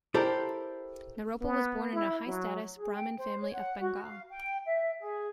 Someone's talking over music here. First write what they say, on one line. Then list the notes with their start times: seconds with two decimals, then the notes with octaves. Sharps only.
Naropa was born in a high status Brahmin family of Bengal.
0.14 E4 G4 A4 A#4 C5 D5
1.41 B3
1.93 E4
2.26 F#3
2.77 G#4
2.93 G5
3.17 C5
3.41 C#5
3.53 F#5
3.80 F#4
4.03 F5
4.30 G5
4.65 E5
4.99 G#4